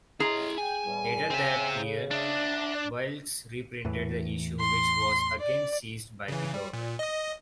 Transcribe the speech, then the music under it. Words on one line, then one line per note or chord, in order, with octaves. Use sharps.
Later that year, Wilkes reprinted the issue, which was again seized by the government.
A2 E4 G#4 D#5 A#5 C6
G5 G#5
E2 A2 G3
C#3 C4 E5
D4 D5 E5
E2 A2 E3
C6
D5
C#3 E3
G3
A#2
D#5 D#6